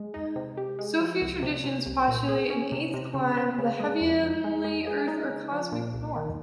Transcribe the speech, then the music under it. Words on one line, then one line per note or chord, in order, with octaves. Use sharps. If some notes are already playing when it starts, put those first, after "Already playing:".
Sufi traditions postulate an eighth clime, the "heavenly Earth" or "cosmic North".
Already playing: G#3
D#4
C3
G4
G#3
F3
C2
C3
C3
C2
A#2
G#4
C#4
C3
C3
C#3
C4
C#3
G#3
F2
F2
G#3
G#3
G#4
D#4
C#3
F3
A#2
C2
D#3